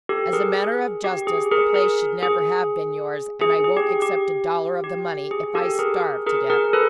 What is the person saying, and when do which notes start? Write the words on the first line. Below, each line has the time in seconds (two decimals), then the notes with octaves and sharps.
"As a matter of justice, the place should never have been yours, and I won't accept a dollar of the money if I starve to death!"
0.09 G4 A4
0.33 G#4 A#4
0.56 G#4
1.04 G4
1.27 G#4
1.51 G#4 A#4
1.74 G#4 A#4
2.23 G#4
3.41 G#4
3.64 G#4
3.77 G4
4.02 G4
4.84 G4
5.31 G#4
5.55 G4 A4
5.79 G#4 A#4
6.26 G#4 A#4
6.50 G#4 A#4
6.65 A#4
6.73 A4 B4